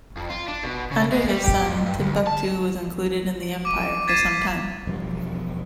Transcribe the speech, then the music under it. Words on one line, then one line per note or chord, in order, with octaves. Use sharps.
Under his son, Timbuktu was included in the empire for some time.
F2
F4
D4
B2
C#3
G#3
G3
G4
F2
G2
D2
A5
D7
D6 D#7
G#6 A6 B6 C7 D#7 E7
E1 F3 G3